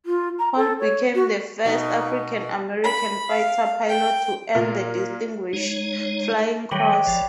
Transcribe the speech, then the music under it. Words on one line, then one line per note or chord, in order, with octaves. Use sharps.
Hall became the first African American fighter pilot to earn the Distinguished Flying Cross.
F4
A#5
A4
C#5
F#4
B2 D#4
B5
F5
G5
A#2 F4 A#4
G#3 D#4 C#5
D#3 F#3 G3 G4 B4 C#5
G1 F3 D5